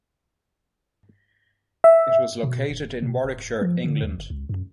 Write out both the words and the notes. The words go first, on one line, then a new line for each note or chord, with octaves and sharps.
It was located in Warwickshire, England.
E5
B2
D1
B2
D1
F3
D3
D#2
F#1
C#2
F#2